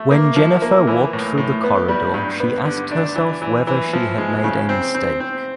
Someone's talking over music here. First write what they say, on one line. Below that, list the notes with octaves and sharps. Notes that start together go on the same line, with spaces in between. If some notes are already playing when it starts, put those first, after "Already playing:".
When Jennifer walked through the corridor she asked herself whether she had made a mistake.
Already playing: A3
A#3
F3
A#3
E3
A2
A2
B3
G3
G2
B3
D3
D4
E3
E3
E3
F3
G#3
C#3
C4
C4
C4